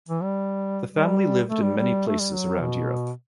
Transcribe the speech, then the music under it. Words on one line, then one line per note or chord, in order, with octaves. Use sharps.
The family lived in many places around Europe.
E3
G3
G3
A3
G3
G3
A3
G3
F#3
B2